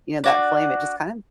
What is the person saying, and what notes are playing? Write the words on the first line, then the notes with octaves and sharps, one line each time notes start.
you know, that flame, it just kind of
D4 F#4 D5